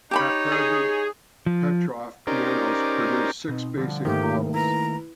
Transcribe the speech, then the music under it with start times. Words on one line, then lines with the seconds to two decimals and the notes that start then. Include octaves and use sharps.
At present, Petrof pianos produce six basic models.
0.11 D#4 G4 C#5 A5 B5
0.52 G#4
1.46 F3
2.27 C#4 D#4 G4 A#4 C5 D5
3.48 B2 C4 D#4
3.77 D3 F3 G3
4.05 G#2 C3 D#3 A3 A#3 G4
4.54 E4 B4 A#5